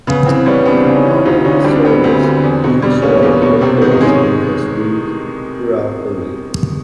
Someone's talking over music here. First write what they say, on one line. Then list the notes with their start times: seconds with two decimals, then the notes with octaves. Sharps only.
An hourly service each way operates on this route throughout the week.
0.07 C#3 B3
0.26 E3 C4
0.46 G3 B3 C#4
0.65 B3 C4 D4
0.86 C#3
0.95 C#4 D#4
1.05 E3
1.25 D2 D#4 F4
1.44 D3 C#4 D#4
1.64 G3 C4 D4
1.84 B3 C4
2.04 D2
2.23 D3
2.43 E2
2.64 B2
2.82 G3
3.02 A#3 B3 C#4
3.23 E2
3.42 B2
3.61 C3 C4
3.77 D#3 B3
3.91 D#4 F4
4.01 G#3
4.06 C#4 D#4